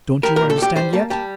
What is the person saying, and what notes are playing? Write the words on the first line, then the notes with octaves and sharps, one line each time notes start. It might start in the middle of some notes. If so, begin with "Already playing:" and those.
"Don't you understand yet?"
G3 A#4
A#4
A#2
A4
G3 G4
G3 C5
A#3 A5
G3 A5